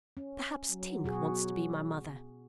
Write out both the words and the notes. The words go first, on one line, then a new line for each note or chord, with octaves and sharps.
'Perhaps Tink wants to be my mother?'
C#4
F#3
B2 F#4 G#4